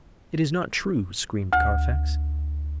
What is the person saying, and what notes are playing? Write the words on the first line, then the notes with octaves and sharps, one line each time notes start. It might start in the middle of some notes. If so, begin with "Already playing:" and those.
"It is not true," screamed Carfax.
D2